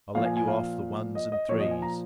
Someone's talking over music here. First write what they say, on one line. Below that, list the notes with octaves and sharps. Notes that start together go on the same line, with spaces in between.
I'll let you off the ones and threes.
A#2 F3 F5
G#5
G#5
F5
D#5
D#5
A#2 F3 C#5
D#5
G#5
A#5